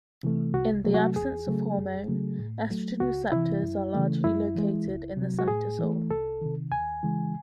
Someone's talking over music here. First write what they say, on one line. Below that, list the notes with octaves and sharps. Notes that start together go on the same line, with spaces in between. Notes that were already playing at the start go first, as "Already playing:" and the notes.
In the absence of hormone, estrogen receptors are largely located in the cytosol.
C3 E3 A3
C2 F#4
C3 F#3 A3
F#4
E2 G#4
C#3 F#3 A3
F#2
C#3 F#3 A3
A2
F#3 A3
C#2 F#4
C3 E3 E4
F#2
C#3 E3 A3
F#2 E4
E3 G#3
C#2
C3
F#3
F#4
A2 G#4
E3
A3
C2 A4
C3 D#3
D#2 G#5
C#3 E3 G#3